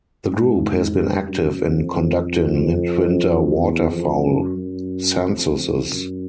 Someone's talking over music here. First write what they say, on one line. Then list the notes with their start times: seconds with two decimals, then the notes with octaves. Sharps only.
The group has been active in conducting mid-winter waterfowl censuses.
0.29 G#2
0.94 G2
1.28 F#2
1.61 F2
1.94 F2
2.26 F2
3.59 E2
3.91 F2
4.25 F#2
4.57 F#2
5.22 F2
5.89 F#2